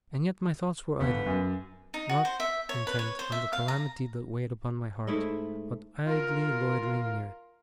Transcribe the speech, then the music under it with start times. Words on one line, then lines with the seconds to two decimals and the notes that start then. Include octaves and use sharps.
And yet my thoughts were idle; not intent on the calamity that weighed upon my heart, but idly loitering near it.
1.00 G1 B3
1.26 F#2
1.94 D#4
2.09 F#4
2.25 C5
2.40 E5
2.69 C#5
2.87 B4
2.99 C#5
3.19 C5
3.32 E5
3.53 F5
3.68 A#5
5.07 G#2 A3 E4 D#5
6.06 F4 A#4